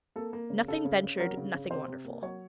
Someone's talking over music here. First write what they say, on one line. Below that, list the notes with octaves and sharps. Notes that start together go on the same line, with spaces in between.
Nothing ventured nothing wonderful.
A#3 A4
A#3
C#3
C#3 A4
C#3
C#3
F#3 A#4
C#3
C#3
C3 C5
C3
A#3
F#3 C#5